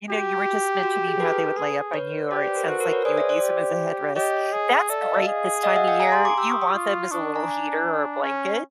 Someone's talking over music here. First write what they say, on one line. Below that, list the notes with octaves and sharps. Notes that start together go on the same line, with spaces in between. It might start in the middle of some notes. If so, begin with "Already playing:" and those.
You know, you were just mentioning how they would lay up on you, or it sounds like you would use 'em as a headrest. That's great this time of year, you want them as a little heater or a blanket
F#4 G4
F#4
F#4
G#4
A4 B4
G#4
B4 C#5
G4 C5 D5
B4
A#4 C5
F#4 A4 B4
A#4 C5
B4 C#5
G#4 C5 D5
D5 E5
C5 D5
G4
G4 C#5 D#5
G#4
A4 D5 E5
D#5 F5
D#5 F5
G#4
D#5 F5
E5 F#5
F5 G5
G#5 A#5
A#5 C6
C6 D6
G4 D6 E6
C#6 D#6
C#6 D#6
F4
D4 C#6 D#6
G#5 A#5
G#5 A#5
C#4